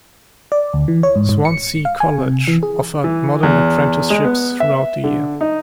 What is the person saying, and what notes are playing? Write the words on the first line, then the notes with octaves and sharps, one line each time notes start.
Swansea College offered modern apprenticeships throughout the year.
D5
D2
E3
C#5
G#2
G#2
C#7
F5
G#5
C3
E3
G#4
E3
E2
G#3
B3
E5
D3
D#4